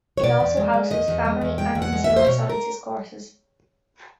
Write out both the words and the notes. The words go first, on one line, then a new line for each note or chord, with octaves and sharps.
It also houses family and consumer sciences courses.
C#5
B2 D5
E2
G#3
G#3
E2 D#5
E2
G#3
E2
G#3 G5
E2
F#5
G#3
E5
E2
C5
B2 C#5
A#4